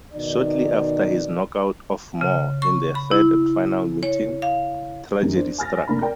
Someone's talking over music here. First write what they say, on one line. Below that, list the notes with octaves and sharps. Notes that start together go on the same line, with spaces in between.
Shortly after his knock-out of Moore in their third and final meeting, tragedy struck.
B2 D#3 D#4 D5
C#3
C#6
B5
E4
C#5
F5
F#2 D#3 G3
D4 C5
G#5 F6 A6 A#6
F1 A#3 D4 B5
A#4 D5 G5